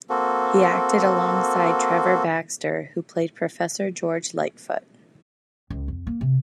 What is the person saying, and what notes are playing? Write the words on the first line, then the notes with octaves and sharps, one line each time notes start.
He acted alongside Trevor Baxter who played Professor George Litefoot.
A#3 C4 F#4 A4
C#2
F2
A#3
C3